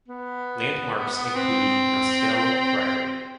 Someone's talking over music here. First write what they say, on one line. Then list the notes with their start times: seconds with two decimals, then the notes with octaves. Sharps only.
Landmarks include Nostell Priory.
0.08 B3
1.25 B3
1.36 C4